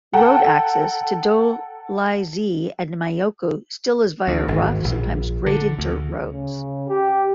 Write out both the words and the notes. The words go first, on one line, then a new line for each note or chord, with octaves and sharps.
Road access to Dolisie and Mayoko still is via rough, sometimes graded dirt roads.
A4 F#5 G5 A5 A#5
D2
G#1
A#1
D3
D2
C#3
G4